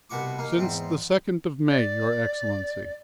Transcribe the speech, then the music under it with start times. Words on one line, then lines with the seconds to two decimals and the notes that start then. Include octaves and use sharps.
"Since the second of May, your Excellency."
0.10 C2 B2 F#4 C#6 D6
0.39 A#3 D#4
0.57 E2 G#2 C4
1.68 D5